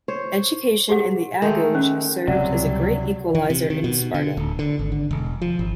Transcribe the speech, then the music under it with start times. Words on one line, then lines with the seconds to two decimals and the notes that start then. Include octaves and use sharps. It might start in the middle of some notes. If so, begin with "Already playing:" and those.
Education in the "agoge" served as a great equalizer in Sparta.
0.08 C5 C#5
0.89 G4 G#4 F#5
1.42 D#3 G#3 A3
1.75 C#4
2.27 C#2 C3 F#3 G3 D5 F#5
3.35 E3
3.50 C3
3.70 D#3
3.84 B2
4.14 D3
4.37 D1
4.59 D3
4.79 G#1
4.92 D3
5.11 E1
5.42 F3
5.59 G#1